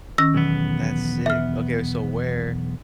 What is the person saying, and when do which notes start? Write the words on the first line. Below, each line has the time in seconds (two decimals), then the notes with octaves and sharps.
That's sick. Okay, so where
0.18 D#3 C#4 E6 A#6
0.35 B1 E2 B3
1.26 E5 F6